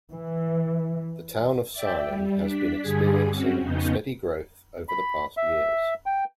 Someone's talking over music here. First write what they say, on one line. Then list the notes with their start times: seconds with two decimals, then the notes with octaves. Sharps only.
The town of Sarnen has been experiencing steady growth over the past years.
0.11 E3
1.72 D5 E5 G5
2.06 G3
2.38 D4 B6
2.82 G2 D3 G3 G#4 G#6
3.30 C4 C#4 F#4
3.61 F2 C#3 B3 D#4 G6
4.89 B5
5.37 E5
6.06 G5